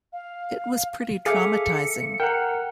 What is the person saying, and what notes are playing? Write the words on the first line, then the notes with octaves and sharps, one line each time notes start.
It was pretty traumatizing.
F5
G#4 A4 E5 F5 D6 C#7
A#4 F#5 G5 A#5 F#6